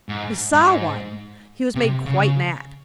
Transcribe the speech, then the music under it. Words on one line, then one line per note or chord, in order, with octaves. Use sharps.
If he saw one he was made quite mad.
G#2
G#2
C3
C#3